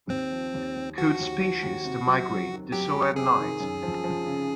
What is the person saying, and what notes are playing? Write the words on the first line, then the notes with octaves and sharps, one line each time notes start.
Coot species that migrate do so at night.
D#2 C4
F3
D#2
D#2
F3 F#4
D#2
F3
D#2
C3
F#3
F#3
D#3
F#3 G4
F#3
C3 G#4
D#3
F#2
F3
F3
C#3